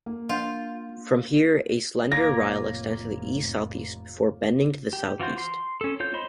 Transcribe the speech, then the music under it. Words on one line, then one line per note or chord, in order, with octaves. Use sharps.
From here a slender rille extends to the east-southeast before bending to the southeast.
A#3
D4 F4 F#5 G6
F1 A2 A#3 F4 C#5 D6 A#6
G4
E3 F4 F#4 C5
C6
C#4 A4
F4 C#5 G6
C5 D#5 B5 C6